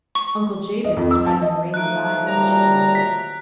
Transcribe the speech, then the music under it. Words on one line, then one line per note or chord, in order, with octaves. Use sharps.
Uncle Jabez did not even raise his eyes when she came in.
C#6
D#5
F2
E6
A5
D#5
F3 A3 D#4 F#6 D7
A#2 F#3 G3 A#5
B6